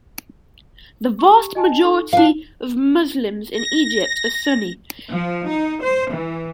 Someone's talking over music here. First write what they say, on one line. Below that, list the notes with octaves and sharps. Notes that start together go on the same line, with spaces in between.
The vast majority of Muslims in Egypt are Sunni.
G4 C#6
D#5 G#5 A5
D#4 A4 C#6
D4 F4 F5
A#6
F3
D#4
C5
E3